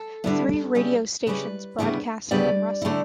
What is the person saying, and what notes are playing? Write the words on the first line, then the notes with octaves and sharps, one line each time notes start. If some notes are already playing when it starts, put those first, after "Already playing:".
Three radio stations broadcast from Russell.
Already playing: A4
D3 G3 B3 E4
C#3 G3 C#4 E4
C#3 G3 C#4 E4 B4
D2 C#3 G3 B3 E4
D2 C#3 G3 B3 E4 D5
D3 A3 E4